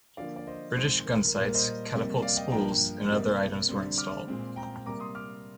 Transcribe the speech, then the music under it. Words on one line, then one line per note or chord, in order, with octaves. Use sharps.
British gunsights, catapult spools and other items were installed.
D3 F3 A#3 D5 F5
D5
C5 D#5
F2 D#3 G#3 C5
A#4
A#4
A#2 G3 A#3 C5
A#4
C5 D#5
F2 C3 G3 A#3
D5 F5
D#5 G5
G2 F3 A#3 G5 A#5
C3 G3 A#3
D3 G3 C4
D6 F6
A#2 G#3 C4
G5 A#5
C3 G3 A#3 A#5 D6
C6 D#6
D6 F6